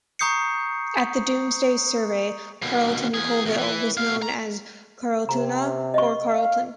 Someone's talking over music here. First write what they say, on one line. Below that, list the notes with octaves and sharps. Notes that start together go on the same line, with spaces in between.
At the Domesday survey Carlton Colville was known as Carletuna or Karletun.
A#5 C#6 D#6 G6 C7 C#7
D#2 B2
E2 G#4
E2 B2
E3
B2 F5
A#5
C3 A#5
D#5 C#6
F5